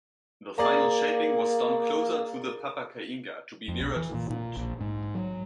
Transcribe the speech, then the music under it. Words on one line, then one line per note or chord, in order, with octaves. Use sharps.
The final shaping was done closer to the papakainga to be nearer to food.
A#3 G#4 D5 A#5
F2
B1
E3
A#2
A#2
A#1
G#2
F#3